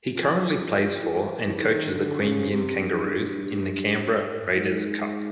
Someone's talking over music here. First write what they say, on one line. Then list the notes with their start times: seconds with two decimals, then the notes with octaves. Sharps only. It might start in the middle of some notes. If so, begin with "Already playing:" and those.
He currently plays for and coaches the Queanbeyan Kangaroos in the Canberra Raiders cup.
0.15 F3
1.03 E3
1.47 D#3
1.54 E3
1.62 D#3
1.90 D3
2.20 C#3
2.49 C3
2.78 G2
4.55 G#2
4.98 G#2